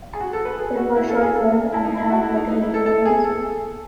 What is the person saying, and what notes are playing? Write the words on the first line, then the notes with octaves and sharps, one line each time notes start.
It was short-lived and had little influence.
G#4
F#4
A4
B4
G#4
F#4
E4
A4
G#4
A4
E4
D#4
E4
F#4
E4
D#4
D#4
E4
A4
A4
G#4
A4